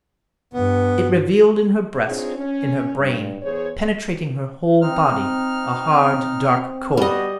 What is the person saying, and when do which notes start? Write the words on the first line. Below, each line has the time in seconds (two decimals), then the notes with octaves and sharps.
It revealed in her breast, in her brain--penetrating her whole body--a hard, dark core.
0.54 G2 B3
2.06 C4 D4 D#4 F4 G#4 C#5
2.36 C#4
2.97 G2
3.41 E2 G#4 C5 C#5
4.82 C4 D#4 F6
6.97 G3 B3 F#4 D#5